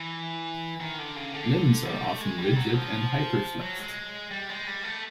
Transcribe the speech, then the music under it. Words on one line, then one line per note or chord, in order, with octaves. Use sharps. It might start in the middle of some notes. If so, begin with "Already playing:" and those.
Limbs are often rigid and hyperflexed.
Already playing: E3
D#3
D3
C#3
D3
G3
A3
G#3
G3
F#3
F3
F#3
G#3
G3
G#3
G3
A3